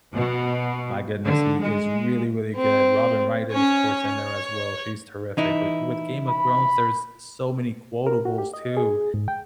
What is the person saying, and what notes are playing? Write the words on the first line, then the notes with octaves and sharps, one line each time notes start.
my goodness, he is really, really good, Robin Wright is of course in there as well, she's terrific, but with Game of Thrones, there is so many quotables too,
B2
D3
G#3
C4
C#4 C#5
C#5
E3 D#4 E4
B5
A#4
F#4
G4
D#5
G#4
G#2
G5